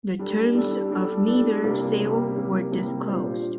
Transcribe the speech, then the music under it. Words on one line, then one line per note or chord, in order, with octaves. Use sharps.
The terms of neither sale were disclosed.
G3 D4 A4
G3 D4 A4
G3 D4 A4
G3 D4 A4
C3 G3 A#3
C3 G3 A#3
C3 G3 A#3
C3 G3 A#3
A#2 G3 D4 F4 C5